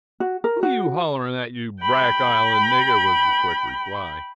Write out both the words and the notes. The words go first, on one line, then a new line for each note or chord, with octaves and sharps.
"Who you holl'rin' at, you brack island niggah?" was the quick reply.
F#4
A#4
F#4
G5 B5